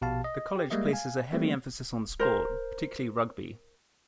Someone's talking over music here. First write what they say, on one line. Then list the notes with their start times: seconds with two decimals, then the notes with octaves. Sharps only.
The college places a heavy emphasis on sport, particularly rugby.
0.01 A#1 B2 G4 F5 A5
0.24 D#5
0.56 G4
0.70 G3 G#3 A#3 D#5 E5
0.93 F5 G#5
1.32 E3 G3 A3 A#3 C4
2.19 A#4 C5 A#5